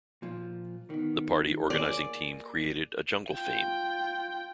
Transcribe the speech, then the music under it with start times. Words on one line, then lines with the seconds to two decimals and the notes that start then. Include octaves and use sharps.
The party organizing team created a "jungle" theme.
0.22 A#2 F3
0.90 D#3 B3
1.70 A#3 G#4 D5
3.32 F4 G5